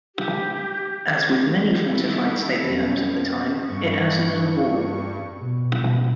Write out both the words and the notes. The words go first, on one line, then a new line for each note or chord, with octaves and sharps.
As with many fortified stately homes of the time it has no wall.
G4
A3
D#3 G3 B3 E4 A4
F2 F#3 G3 C#4
F3
G2 C#6
B2
B2